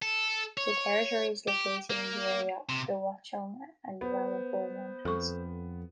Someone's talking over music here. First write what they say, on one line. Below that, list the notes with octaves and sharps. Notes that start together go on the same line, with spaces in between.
The territory is located in the area of the Watchung and Ramapo Mountains.
A4
C#5
G4
A#3
C3
B3 C5
F2 A4 C#6